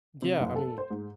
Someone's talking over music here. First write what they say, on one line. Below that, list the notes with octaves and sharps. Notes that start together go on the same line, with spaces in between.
Yeah, I mean,
C3
F#1
A4
C5
G#2